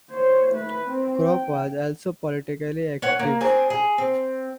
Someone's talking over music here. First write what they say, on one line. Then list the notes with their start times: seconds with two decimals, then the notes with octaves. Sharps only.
Kroc was also politically active.
0.11 C5 C#5
0.51 A3 B4
0.85 C4
1.23 G5
3.02 C#4 C#5 F#5
3.19 A#3
3.41 C4 D4 G#4
3.70 G#4
3.98 C4